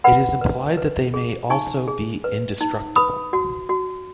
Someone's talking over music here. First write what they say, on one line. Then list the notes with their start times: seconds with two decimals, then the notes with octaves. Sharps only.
It is implied that they may also be indestructible.
0.04 B4 F#5 B5
0.41 B4
0.77 B4
1.14 G#4
1.50 D#4 G#5 C#6
1.88 G#4
2.24 B4
2.61 D#4
2.96 B4 B5 D#6
3.33 F#4
3.69 F#4